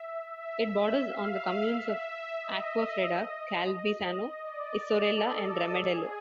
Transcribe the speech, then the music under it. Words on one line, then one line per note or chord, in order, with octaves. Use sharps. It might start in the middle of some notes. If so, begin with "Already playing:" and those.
It borders on the communes of Acquafredda, Calvisano, Isorella and Remedello.
Already playing: E5
E5
F5
E5
D#5
D5
A4
G#4